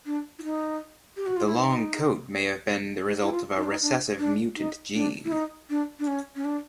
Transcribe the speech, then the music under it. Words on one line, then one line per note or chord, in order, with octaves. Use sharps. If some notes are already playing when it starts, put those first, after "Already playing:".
The long coat may have been the result of a recessive mutant gene.
D4
E4
D#4
G4
F#4
F4
E4
D#4
D#4
E4
F4
D#4
D4
D#4
D4
D4
D#4
D4
E4
D#4
D4
D4
C#4
C#4
D4